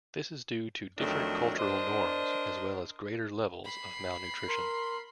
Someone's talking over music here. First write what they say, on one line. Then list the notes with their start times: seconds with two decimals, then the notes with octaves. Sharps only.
This is due to different cultural norms as well as greater levels of malnutrition.
0.98 F2 D#3 F#3 A3 D4
1.58 D4 A#4 C5 D5 D#5
3.65 B5 C7
4.47 A#4 C6